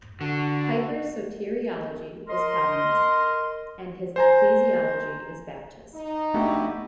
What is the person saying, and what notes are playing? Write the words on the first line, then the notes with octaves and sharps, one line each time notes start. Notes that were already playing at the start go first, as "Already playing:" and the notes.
Piper's soteriology is Calvinist, and his ecclesiology is Baptist.
D3 F#4
A#4 D#5 C6
C5 G#5 A#5
D#4
A3 B3 D4 E4 F#4 G4